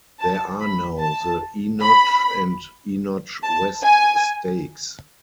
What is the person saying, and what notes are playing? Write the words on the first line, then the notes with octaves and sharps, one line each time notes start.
There are now the Enoch and Enoch West stakes.
A5
B5
A5
B5
A5
G#5